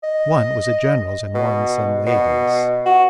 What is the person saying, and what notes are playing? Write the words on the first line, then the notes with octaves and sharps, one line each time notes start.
One was a general's and one some lady's.
D#5
B2
B2
F#4